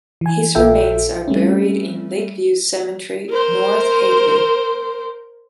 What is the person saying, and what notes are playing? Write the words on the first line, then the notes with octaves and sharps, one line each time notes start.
His remains are buried in Lakeview Cemetery North Hatley.
E3 G#5
A#1 F4 A4 E5 G5
G3 A3 C4 C#4
A#4 C5